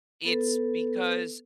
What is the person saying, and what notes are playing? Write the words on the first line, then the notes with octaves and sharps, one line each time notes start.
it's because
B3 A4 B4